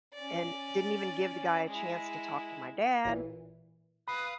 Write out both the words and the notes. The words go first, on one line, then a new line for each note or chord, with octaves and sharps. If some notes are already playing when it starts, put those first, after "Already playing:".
and didn't even give the guy a chance to talk to my dad.
C#4 D5
G#3 E4
A1 A#2 E3
B4 F5 B5 D#6